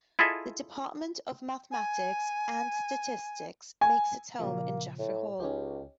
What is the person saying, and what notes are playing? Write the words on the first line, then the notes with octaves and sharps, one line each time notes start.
The Department of Mathematics and Statistics makes its home in Jeffery Hall.
E4 F4 G#4 A4 D#5 E5
G#5
G#5
A#2 C#3 F3 A#3
A2
C#2 C#4 D#4 G4